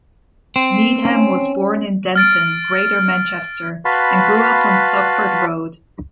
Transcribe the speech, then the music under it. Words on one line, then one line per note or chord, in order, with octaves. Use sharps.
Needham was born in Denton, Greater Manchester, and grew up on Stockport Road.
C4
C#4
F6 A6 D7
F#4 B4 F5 A5 B5 C6